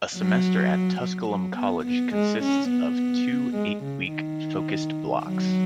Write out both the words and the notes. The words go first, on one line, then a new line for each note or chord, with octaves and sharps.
A semester at Tusculum College consists of two eight-week Focused Blocks.
F#3
F#3
F#3
B3
B3
G#3
C#4
B3
G#3
C#3
D#3
F#3